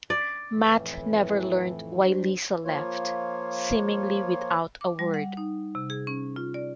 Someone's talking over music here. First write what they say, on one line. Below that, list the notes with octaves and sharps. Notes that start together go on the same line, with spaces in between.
Matt never learned why Lisa left, seemingly without a word.
D5
F2 A2 E3
G3 D4 C5
F3 A#3 F4 C#5
D6
G3
F#5
D#4
C3
G#4
C#4
F4
D5